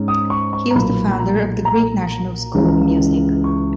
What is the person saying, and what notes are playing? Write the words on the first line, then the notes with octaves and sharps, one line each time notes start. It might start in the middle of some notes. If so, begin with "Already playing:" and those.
He was the founder of the Greek National School of Music.
Already playing: G#2 C#4
D#6
C#6
C#6
A#5
B1 A#2 F#3 A#3 B5
B5
A#5
A#5
C#2 C#3 E3
C#6